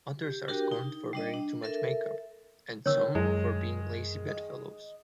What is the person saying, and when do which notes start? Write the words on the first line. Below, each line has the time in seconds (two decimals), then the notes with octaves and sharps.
Others are scorned for wearing too much makeup, and some for being "lazy bedfellows".
0.22 G4
0.48 D4 F#4 G4 A#4 G5
0.72 D#4
1.13 G3 D4 D#5
1.34 D4
1.62 A4 A#4 E5
2.86 D#3 C#5 E6
3.15 F#2 G#3 E4
4.28 D#5